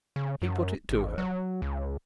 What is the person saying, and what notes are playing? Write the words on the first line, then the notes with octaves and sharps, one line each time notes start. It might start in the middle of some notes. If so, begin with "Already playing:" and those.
He put it to her.
C#3
F#2
G#1
F#3
C#2